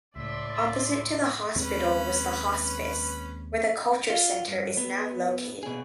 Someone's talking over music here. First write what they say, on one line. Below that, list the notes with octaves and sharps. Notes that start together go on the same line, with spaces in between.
Opposite to the Hospital was the Hospice, where the Culture Center is now located.
C#2 A2 D5 E5 C6 B6
D#2 G#3 C4 C#4 B4
F4
G2
B3
B2 G#4